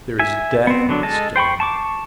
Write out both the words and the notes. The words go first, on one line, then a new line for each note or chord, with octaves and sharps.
There is death in this game.
E5 G#5
B3 C4
D3 F#3 D4
G#3 A4 D#5 A5
C5 G5 B5 C#6
A5 C#6 D6